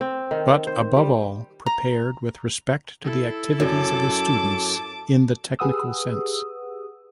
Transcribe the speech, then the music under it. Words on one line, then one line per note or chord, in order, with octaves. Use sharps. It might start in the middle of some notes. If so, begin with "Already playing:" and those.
But, above all, prepared with respect to the activities of his students in the technical sense.
C4
D#3
C5
G3
A#5
E4 A4
F#2 A5 D6
G4 G#4 B4 F#5 D#6 E6